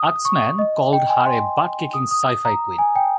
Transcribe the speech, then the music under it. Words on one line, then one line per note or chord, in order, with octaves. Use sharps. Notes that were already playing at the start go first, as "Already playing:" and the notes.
AskMen called her a butt-kicking sci-fi queen.
Already playing: D#6
C#6
D#5
G5
G#5
C6
D#6
D#6
A#5
G#5
G5